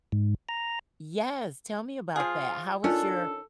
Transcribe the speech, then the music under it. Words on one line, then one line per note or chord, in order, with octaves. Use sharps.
Yes, tell me about that, how was your
G#2
A#5
F3 F4 G#4
D#3 C#4 D4 F4 A4